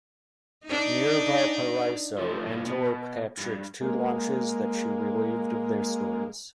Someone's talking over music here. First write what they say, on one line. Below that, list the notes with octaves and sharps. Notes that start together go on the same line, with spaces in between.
Near Valparaiso "Antelope" captured two launches that she relieved of their stores.
D4 D#4
F3 A3
G2 A#2
B2
G2
G#3 A#3